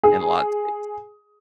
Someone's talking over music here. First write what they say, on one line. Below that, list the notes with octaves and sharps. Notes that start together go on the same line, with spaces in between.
in lot states.
G#4